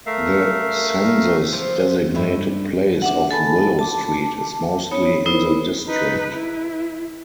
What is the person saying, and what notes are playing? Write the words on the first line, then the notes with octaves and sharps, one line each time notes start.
The census-designated place of Willow Street is mostly in the district.
A3 A#4 E5 F5
C3 F3
G2 D4 E4
D4 E5 F#5
A4 G#5 A5 B5
A5 D6
B3 D#4 C#5
B3 D#4 E4 A#4 C5
D#4 B4
E4